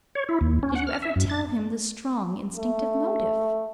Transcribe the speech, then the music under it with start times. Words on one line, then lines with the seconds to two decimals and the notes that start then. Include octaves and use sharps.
Did you ever tell him the strong, instinctive motive?'
0.15 C#5
0.29 E4
0.41 D#2
0.63 C#4
0.75 F#5
0.87 F6
1.02 E5
1.16 F#2
1.30 A6
2.56 A3